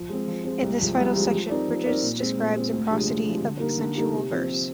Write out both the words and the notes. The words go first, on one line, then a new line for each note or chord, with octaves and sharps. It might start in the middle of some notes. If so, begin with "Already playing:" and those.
In this final section, Bridges describes a prosody of accentual verse.
Already playing: F3
G#3 C4
F3
G#3 C4
C2
C3 F3 G#3
C2
C3 F3 G#3
F3
C4 D#4 A#4 D5
F3
C4 D#4 A#4 D5
A#2
G#3 C4
A#2
G#3 C4
D2
C3 F3 G#3 D4
D2
C3 F3 G#3 D4
D3
G3 A#3 D#4 A#4
D3
G3 A#3 D#4 A#4
C3
F3 C4
C3